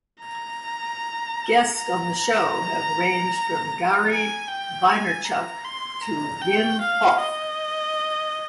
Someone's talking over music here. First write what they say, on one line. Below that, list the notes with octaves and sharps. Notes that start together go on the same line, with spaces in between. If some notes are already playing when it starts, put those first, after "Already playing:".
Guest on the show have ranged from Gary Vaynerchuk to Wim Hof.
A#5
A#5
G#5
G5
G#5
A#5
C6
A#5
G5
F5
D#5